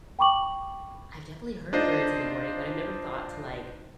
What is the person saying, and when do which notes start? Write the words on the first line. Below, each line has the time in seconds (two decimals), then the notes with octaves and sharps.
I've definitely heard birds in the morning, but I've never thought to, like,
0.19 G5 B5 C#6 D6 F#7
1.73 D4 D#4 F4 C5 D#5